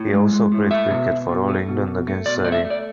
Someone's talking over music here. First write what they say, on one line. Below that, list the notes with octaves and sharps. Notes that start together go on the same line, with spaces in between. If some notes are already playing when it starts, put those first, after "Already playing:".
He also played cricket, for All England against Surrey.
Already playing: A2
G#3
G#3
A2
A3 E5
B2
B2
B2
A3
B2
B2
A3
B2 D5
A3 D5
E5
A3
D5